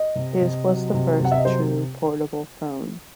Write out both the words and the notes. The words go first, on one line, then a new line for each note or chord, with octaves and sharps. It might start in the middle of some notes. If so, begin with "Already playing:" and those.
His was the first true portable phone.
Already playing: D#5
C3
C3
F#3
C3
C3 F#5
E5
D#5
F#3 C5